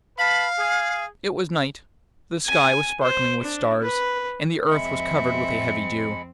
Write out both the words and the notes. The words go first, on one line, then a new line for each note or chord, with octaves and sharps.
It was night, the sky was sparkling with stars, and the earth was covered with a heavy dew.
B4 F5 A5 B5
G#4
G#5
C5
D4
B4
F2 G#3 C4 E5 B5 C#7